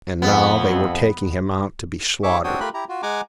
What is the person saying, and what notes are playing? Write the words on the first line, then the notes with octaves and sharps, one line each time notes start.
And now they were taking him out to be slaughtered.
F2 B3
D#4 G#4 C#5 E5 C#6 D6
C4 D4 F#4 C#5 G5 D#6
A3 F4 G4 A#4 B5 F#6
E4 G4 A#5
F4 F#4
G#3 F#5 G#5 A#5 D6